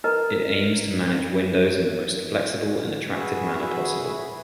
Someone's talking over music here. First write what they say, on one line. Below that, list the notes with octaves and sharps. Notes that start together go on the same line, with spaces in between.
It aims to manage windows in the most flexible and attractive manner possible.
A#4 B4 D#5 A#5
F#4 G#4 B4 E5